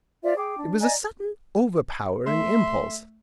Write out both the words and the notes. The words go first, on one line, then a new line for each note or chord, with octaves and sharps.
It was a sudden overpowering impulse.
F4 C5 D5 E5
G#4 G5 D6
D4
D5 D#5 G#5 A#5
A3 E5 C6